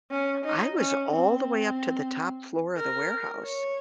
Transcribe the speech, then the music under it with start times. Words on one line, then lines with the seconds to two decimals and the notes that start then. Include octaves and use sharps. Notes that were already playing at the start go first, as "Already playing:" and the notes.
I was all the way up to the top floor of the warehouse
0.11 C#4
0.44 D#4
0.78 C#4
1.11 C4
2.77 A#4
3.44 C#5